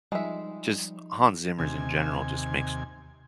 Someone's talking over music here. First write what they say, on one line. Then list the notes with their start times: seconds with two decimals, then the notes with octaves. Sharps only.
just Hans Zimmer's in general just makes
0.12 F3 G3 G#3 D#4 E5
1.59 D#2 C3 G#5